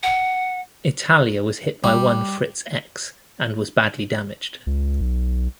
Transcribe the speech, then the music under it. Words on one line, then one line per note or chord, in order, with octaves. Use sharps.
"Italia" was hit by one Fritz-X and was badly damaged.
F#5
G3
C#2
B1